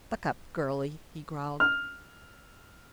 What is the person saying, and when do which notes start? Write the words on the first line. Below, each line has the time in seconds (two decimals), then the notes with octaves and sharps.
"Buck up, girlie!" he growled.
1.60 F6